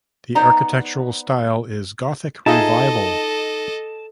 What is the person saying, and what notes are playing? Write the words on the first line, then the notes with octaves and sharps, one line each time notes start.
The architectural style is Gothic Revival.
B3 D#4 C5 D5 A#5
D#4 F4 G#4 A4 D#5 E5 A5